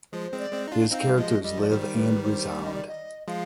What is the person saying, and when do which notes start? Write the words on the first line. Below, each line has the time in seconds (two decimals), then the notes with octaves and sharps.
His characters live and resound.
0.13 F3 G#3 C5
0.32 G#3 C4
0.39 D5
0.52 G#3 C4
0.67 D#4
0.72 D4 F4
0.91 C4 D#4 F5
1.07 G3
1.18 F3 G#3 D#5
1.44 G3 D#5
1.58 F3 D5
1.70 D#3 G3 C5
1.96 B4
2.23 C5
2.49 D5
2.62 D#5
2.74 D5
2.88 D#5
3.27 F3 G#3 F5